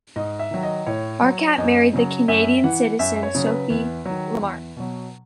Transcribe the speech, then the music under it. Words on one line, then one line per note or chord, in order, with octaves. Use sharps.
Harkat married the Canadian citizen Sophie Lamarche.
G#2 D#5
E5
D#3 F#3
D#5
A2 C#5
F#3
F#2 D#5
C#3 F#3
F#2 E5
E3 F#5
F#2 E5
C#5
C#3 F#3
B4
E2
D#3 F#3
E2
B2 F#3